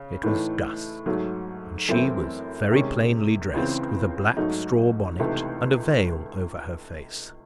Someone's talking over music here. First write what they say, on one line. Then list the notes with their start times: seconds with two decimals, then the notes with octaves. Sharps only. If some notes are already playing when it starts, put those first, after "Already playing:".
It was dusk, and she was very plainly dressed, with a black straw bonnet, and a veil over her face.
Already playing: C#3
0.23 A2 E3 A3 D#4
1.06 G#2 F#3 A3
1.89 F#2 E3 A3 C4 E4
2.71 C3 D#3 G#3 C#4
3.54 C#2 C#3 E3 C4
4.37 G#2 F#3 A3 D#4
5.20 C#2 C3 E3 A3 D#4